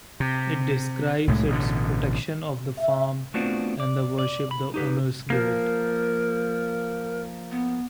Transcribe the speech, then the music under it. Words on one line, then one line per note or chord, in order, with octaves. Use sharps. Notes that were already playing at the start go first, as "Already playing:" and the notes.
It describes its protection of the farm and the worship the owners give it.
C3
C2 A2 G#3
A1 B2 D3
E5
A3 B3 C4 D4 F4 F#4
D5
D5
B5
D#4 G4 B4
F3 A#3 A#4
B3